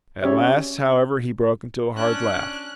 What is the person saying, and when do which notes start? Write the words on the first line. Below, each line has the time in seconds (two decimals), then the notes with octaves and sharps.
At last, however, he broke into a hard laugh.
0.22 C#4 G4 C#5 D5 E5
1.97 C#4 D4 F#6